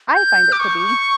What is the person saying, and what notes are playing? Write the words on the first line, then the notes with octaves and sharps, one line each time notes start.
I find it to be.
G6
D6
C#6